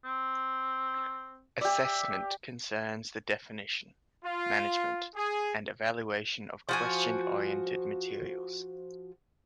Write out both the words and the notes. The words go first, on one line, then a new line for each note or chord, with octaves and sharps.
Assessment concerns the definition, management, and evaluation of question-oriented materials.
C4
G4 D5 E5
F4
G#4
F3 F#4 G#5